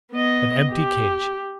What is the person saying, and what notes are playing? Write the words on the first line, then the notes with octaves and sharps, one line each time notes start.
An empty cage!
B3 D#5
G4